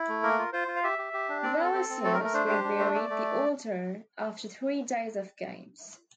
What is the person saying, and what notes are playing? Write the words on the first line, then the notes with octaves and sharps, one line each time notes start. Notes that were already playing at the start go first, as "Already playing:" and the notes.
Valesius reburied the altar after three days of games.
Already playing: E4
A3
A#3 A#4
F4
F4 C5
F4
F5
G4 E5
G4
G4
D4
C4 D5
C4
A4
C4
C4
A3 A4
A#4
A3
A#4
D4 C5
G4
D4
A3
A3 D5
A3